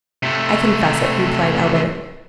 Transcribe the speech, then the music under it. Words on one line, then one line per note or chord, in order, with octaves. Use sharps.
"I confess it," replied Albert.
C3 A3